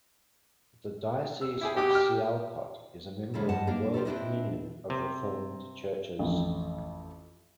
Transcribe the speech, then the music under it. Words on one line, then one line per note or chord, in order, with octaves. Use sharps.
The Diocese of Sialkot is a member of the World Communion of Reformed Churches.
E6
E4 G4 G#4
B2 D#4 G4 D6
G5 D6 F6
C#3 E3 G#3 A4
G2 D#5 F#5 A5
A#3 D4
C4 F4 G4 A4
C4 D4 E4 F4 B4 D#5
C3
A1 F2